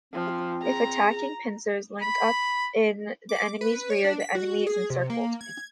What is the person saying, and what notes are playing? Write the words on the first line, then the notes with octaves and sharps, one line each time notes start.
If attacking pincers link up in the enemy's rear, the enemy is encircled.
F3 C4
G#4 A#5
B5
D6
B4
C#5
D4
B6
F#4
G#4
C3
A#3
G#6